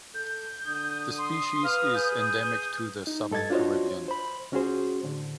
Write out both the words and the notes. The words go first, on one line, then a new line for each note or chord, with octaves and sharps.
The species is endemic to the southern Caribbean.
A4 G6
D3 D#6
C6
B4 F5
G#4 G6
D#4
G2 A4 D#5 G#6 A6
D4 F4 F#4 C5 C#5 D#5
C5 B5
C#2 C#4 F#4 G#4 C5
A2 D3